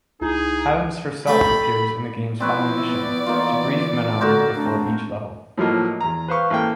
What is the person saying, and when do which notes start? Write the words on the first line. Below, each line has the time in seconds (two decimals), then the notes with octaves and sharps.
Adams herself appears in the game's final mission to brief Manon before each level.
0.21 C#2 D#4 E4 G#4
1.27 A3 G4 B5 D6
2.40 F3 B3 C4 E4 B4 C#5 D5
3.26 E3 A#3 D#4 F4
4.21 D3 F#4 A4 A#4 C5
4.55 A3 C4 D4
5.58 A2 F3 F#3 A#3 D#5
6.01 E2 A#5
6.28 B4 C5 F5 C#6
6.50 A1 A#3 G5